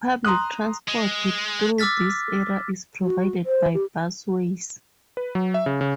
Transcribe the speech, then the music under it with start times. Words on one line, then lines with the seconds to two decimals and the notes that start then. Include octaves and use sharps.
Public transport through this area is provided by Busways.
0.25 A#5 C6 D#6 F#6
0.88 G#3
1.78 D6 E6 F6 A6 B6
3.02 F#4
3.45 C5
3.74 G4
5.17 B4
5.35 F#3
5.54 E5
5.66 C#3
5.81 C#3